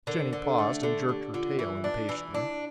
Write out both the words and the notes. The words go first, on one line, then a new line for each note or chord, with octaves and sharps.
Jenny paused and jerked her tail impatiently.
D3 A#4
C5
A#4
D3
A4
A3
D3 A4
D3 G4
D3 F4
E3
D4
E3
D4 E4